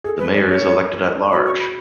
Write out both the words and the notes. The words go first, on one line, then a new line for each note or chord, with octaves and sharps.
The Mayor is elected at large.
G#4 A4
B4
C#5
C#5
F#4 B5
C#6
B5